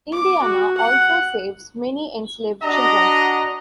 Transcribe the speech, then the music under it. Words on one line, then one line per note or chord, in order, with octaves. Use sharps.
Indiana also saves many enslaved children.
D6
F#4
F#5
D4 F#4 D5 D#5 F#5 A#5